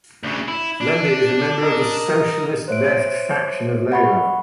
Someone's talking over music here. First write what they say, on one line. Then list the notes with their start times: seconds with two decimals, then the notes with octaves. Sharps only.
Lundy is a member of the Socialist Left faction of Labor.
0.24 D2 C#3
0.48 E4
0.81 D4
1.63 A#4 D#5
2.68 C5 C#5 E5 D7
3.92 F#5 B5 C#6